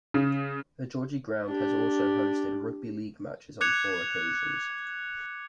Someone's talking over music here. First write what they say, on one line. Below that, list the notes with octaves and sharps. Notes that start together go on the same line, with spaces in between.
The Gorgie ground has also hosted rugby league matches on four occasions.
C#3
D4 G4
D6 F#6 G#6 C#7 F7